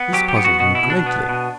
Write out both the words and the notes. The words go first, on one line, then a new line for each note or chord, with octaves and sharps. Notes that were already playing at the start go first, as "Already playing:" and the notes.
This puzzled me greatly.
Already playing: B3
F#3 G4
G4
B3
F#4
B2 F#4
E4
B2
D4
B3
B2